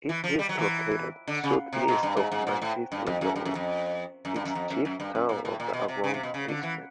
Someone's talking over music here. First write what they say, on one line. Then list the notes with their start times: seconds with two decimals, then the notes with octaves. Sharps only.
It is located southeast of Mantes-la-Jolie, its chief town of the arrondissement.
0.09 E3
0.24 F3
0.39 G3
0.49 F#3
0.58 E3
1.28 D3
1.44 C#3
1.73 C3
1.88 B2
2.03 G2
2.17 G#2
2.32 G#2
2.47 A#2
2.62 A2
2.92 G2
3.07 F2
3.21 F#2
3.36 G2
3.45 F#2
3.55 F2
4.25 F#2
4.36 G2
4.45 F#2
4.55 F2
4.70 F#2
4.85 F#2
5.00 G2
5.15 F#2
5.29 A#2
5.45 A2
5.60 A#2
5.73 B2
5.88 C3
6.04 C#3
6.14 C3
6.23 B2
6.34 C#3
6.48 D3
6.63 E3